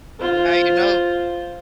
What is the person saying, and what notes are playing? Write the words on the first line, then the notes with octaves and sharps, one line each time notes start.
Now you know.
F4 C5